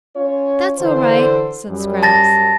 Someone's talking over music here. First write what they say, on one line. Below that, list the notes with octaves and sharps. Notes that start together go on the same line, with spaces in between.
"That's all right," said Scraps.
C#4 F4 C#5
D3 E3 C5
F#2 G3
A5 A6 A#6